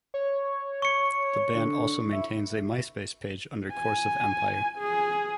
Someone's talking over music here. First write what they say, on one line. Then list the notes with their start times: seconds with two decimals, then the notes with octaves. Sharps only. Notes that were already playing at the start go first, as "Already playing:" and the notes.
The band also maintains a Myspace page under "Course of Empire".
0.14 C#5
0.82 C#6 C#7
1.55 D3
2.12 E4
3.72 G#5
4.79 G#4